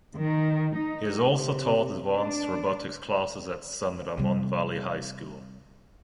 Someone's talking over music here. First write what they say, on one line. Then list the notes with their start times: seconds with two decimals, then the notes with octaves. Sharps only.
He has also taught advanced robotics classes at San Ramon Valley High School.
0.15 D#3
0.75 D#4
1.26 C3
2.13 D4
4.18 C3 G3